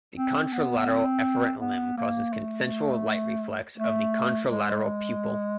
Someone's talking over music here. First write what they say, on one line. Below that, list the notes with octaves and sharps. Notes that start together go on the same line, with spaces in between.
The contralateral efferent limb causes consensual light reflex of the contralateral pupil.
C4
B3
C4
B3
A#3
A3
A3
G#3